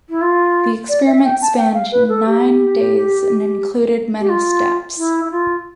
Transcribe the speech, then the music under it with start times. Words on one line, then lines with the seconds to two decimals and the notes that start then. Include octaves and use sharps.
The experiment spanned nine days, and included many steps.
0.09 E4
0.21 F4
0.89 D5
1.06 E5
1.23 G5
1.41 A5
1.57 G5
1.74 F5
1.91 B4
2.08 A4
2.26 G4
4.20 G4
4.29 F4
4.97 E4
5.24 E4
5.31 F4